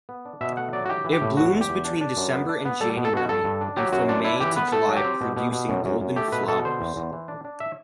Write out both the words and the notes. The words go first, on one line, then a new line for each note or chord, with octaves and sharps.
It blooms between December and January and from May to July producing golden flowers.
B3
D4
B2 E5
A3 F#5
F#3 D5
F#4
E3 G4
E3
G4
A2
E2 F#4
E2
G4
E2
D4
D4
F#2
B3
D4
B3
G3 A4
B2
A4
B2 F#4
G2 A4
G2
D4
F#3 G4
F#2 F#4
C4 D4
D4 E4
E3 G4
B3 B4
A3 A4
F#3
G4
C4
B2
B2
B2
F#2
F#2
F#2
A3 G4
B2 B4
B2 A4
D3 C5
E2
E2
E3
D4
D4
E5